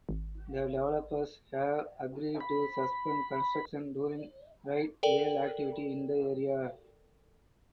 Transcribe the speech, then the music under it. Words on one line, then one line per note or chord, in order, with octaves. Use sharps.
The developers have agreed to suspend construction during right whale activity in the area.
G#1
B5
A4 A#4 D5 G5 F#7